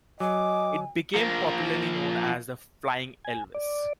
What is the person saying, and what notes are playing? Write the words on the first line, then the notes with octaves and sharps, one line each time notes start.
It became popularly known as the "Flying Elvis".
F#3 D#5 G#5 D6
F3 A#3
G#5
D5